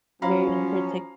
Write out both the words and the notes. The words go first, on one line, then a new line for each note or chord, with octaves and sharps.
very unpretic
F3 F#3 C#4 F5 A#5 B5